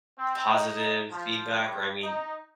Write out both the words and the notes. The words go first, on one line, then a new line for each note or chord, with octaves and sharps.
positive feedback or, I mean
C4
D#4
F3
G2
D#4